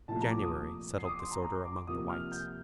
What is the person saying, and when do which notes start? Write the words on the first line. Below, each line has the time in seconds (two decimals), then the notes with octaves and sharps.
January settled disorder among the whites.
0.08 C2 A#2 F3 A3 A5
0.20 A#5
0.31 D6
0.42 D#6
0.98 C7
1.05 D#6
1.09 D6
1.20 C6
1.31 A#5
1.42 A#5
1.65 D6
1.87 C2 C3 F3 A#3 D#6
2.09 F6
2.32 G6